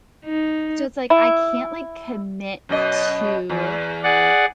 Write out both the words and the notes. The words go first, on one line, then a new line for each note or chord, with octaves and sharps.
So it's like, I can't, like, commit to,
D#4
E4
F#2 B2 D#5
E2
G#4 D5 F#5